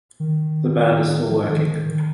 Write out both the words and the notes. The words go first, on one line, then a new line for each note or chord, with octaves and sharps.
The band is still working.
D#3
F3
D#3
D#3
D#3